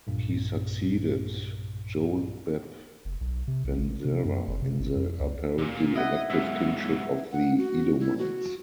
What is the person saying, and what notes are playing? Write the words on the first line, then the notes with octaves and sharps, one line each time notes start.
He succeeded Jobab ben Zerah in the apparently elective kingship of the Edomites.
B1 G2 A#2
F1
B1
C3
B1
A1
C3
F#2
F#1
C3
G#1
F2
C#2
A#2
E4 D#5 F#5
B1 G#2 E5
F#5
F#4
E4
F#4